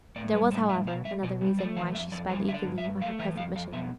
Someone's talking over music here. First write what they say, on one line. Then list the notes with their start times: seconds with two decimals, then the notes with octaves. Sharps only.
There was, however, another reason why she sped eagerly on her present mission.
0.16 A2 D5
0.33 G3 B4
0.51 A2 C5
0.69 G3 E5
0.87 B2 F5
1.05 G3 E5
1.23 B2 D5
1.41 G3
1.59 A3 D5
1.76 E3 F5
1.94 F2 E5
2.12 F2 D5
2.29 G3 C5
2.48 D3 E5
2.54 D5
2.66 G2
2.78 E5
2.84 G2
3.01 A3 F5
3.19 E3 E5
3.37 F2 F5
3.55 F2 F5
3.73 B2 E5